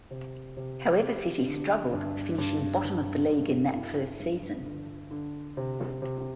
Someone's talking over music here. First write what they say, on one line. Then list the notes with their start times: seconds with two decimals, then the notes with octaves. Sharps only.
However City struggled, finishing bottom of the League in that first season.
0.11 C3
0.57 C3
1.01 G4
1.47 D3
1.93 G2
2.38 G2
2.84 G2
3.29 G2
3.75 E4
4.20 G2
4.65 D3
5.11 D3
5.57 C3
6.02 C3